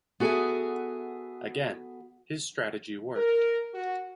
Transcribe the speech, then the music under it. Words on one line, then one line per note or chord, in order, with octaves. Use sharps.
Again, his strategy worked.
B3 F#4 G#4 A4 E5 G#5
A#4
F#4